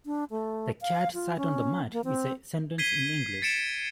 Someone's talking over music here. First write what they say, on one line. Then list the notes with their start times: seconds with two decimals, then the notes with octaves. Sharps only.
"The cat sat on the mat" is a sentence in English.
0.06 D4
0.31 A3
0.81 F5
1.14 F4
1.37 C#4
1.92 A#3
2.04 C4
2.78 G#6 B6 C7 D#7 G7
3.42 A6 C#7 D7 E7